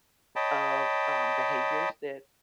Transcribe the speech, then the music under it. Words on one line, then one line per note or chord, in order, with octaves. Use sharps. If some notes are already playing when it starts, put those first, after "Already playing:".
of, um, behaviors that
C#5 D#5 G5 A5 B5